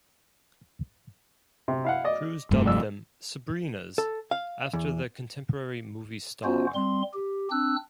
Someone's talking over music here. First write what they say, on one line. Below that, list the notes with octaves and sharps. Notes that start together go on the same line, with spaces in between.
Crews dubbed them "Sabrinas" after the contemporary movie star.
C3
E4 F5 F#5
D5 D#5
F1 G2 A3
F2 D5 E6
A4
F5
E2
B3 C#4 F4 F#4 C5
G3 C4 C6
G4
C4 D4 E6 F#6